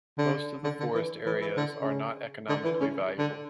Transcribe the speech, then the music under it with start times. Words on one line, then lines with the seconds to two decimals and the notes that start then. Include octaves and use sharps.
Most of the forest areas are not economically valuable.
0.18 D3
0.64 D3
0.80 D3
0.95 E3
1.26 E3
1.41 E3
1.57 D3
1.80 C#3
2.49 D3
2.64 E3
2.80 C#3
3.19 D3